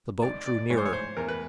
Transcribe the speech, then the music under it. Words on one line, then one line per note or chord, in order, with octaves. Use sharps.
The boat drew nearer.
G#1 D5
D5
G#2 E3 C#5
C5
C#5
C5
E2 A#4
B4